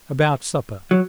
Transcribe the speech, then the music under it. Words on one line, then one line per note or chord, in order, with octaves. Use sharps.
"About supper."
F#3